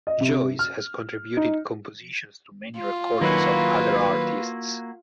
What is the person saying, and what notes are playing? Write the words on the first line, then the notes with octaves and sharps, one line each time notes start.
Joyce has contributed compositions to many recordings of other artists.
D#5
C3
F6
D#4
F4
D#3 F#3 A#3 E4 F#4 B4